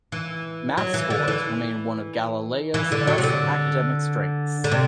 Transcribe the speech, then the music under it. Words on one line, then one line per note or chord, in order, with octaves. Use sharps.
Math scores remain one of Galileo's best academic strengths.
E3
F#3
E3
D3
E3
E3
D3
F#3
C3
D3
D3
C3